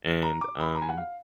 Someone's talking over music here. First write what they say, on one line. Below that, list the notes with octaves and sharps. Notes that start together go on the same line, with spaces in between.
And, um,
A#5
D6
B5
A#5
G#5
F#5
F5